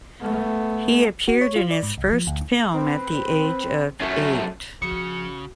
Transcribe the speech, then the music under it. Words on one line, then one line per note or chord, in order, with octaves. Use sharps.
He appeared in his first film at the age of eight.
A3 B3
F#4
C#5
F4
D5
G#2
C2
F3
D2
C4 B4
F#2 A3 C#4
C#3 F3 F#4 G#4 C#7